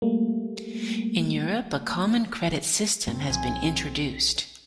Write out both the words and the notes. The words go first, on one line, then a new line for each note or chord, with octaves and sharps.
In Europe, a common credit system has been introduced.
G3 A3 A#3
F#2 G3 A3 C4
B1 A#2 F3 G#5